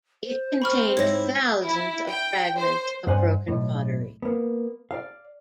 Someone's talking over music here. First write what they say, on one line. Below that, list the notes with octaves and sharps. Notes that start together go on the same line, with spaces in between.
It contained thousands of fragments of broken pottery.
C5
C4 B5 C#6 F6
G#2 E4 C#5 A#6
E4
G5
C5
G2 C5 F#5 G#5
B1 A2
A#3 B3
D5 F5